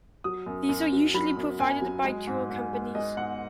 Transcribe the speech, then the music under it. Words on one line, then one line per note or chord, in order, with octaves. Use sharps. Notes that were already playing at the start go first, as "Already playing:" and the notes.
These are usually provided by tour companies.
F#3 D#6
F#2
F#2
F#3
F#3 B5
F#2
F#2 G#5
F#3
G#3
G#2
G#2
G#3
G#3 D#5
G#2 F#5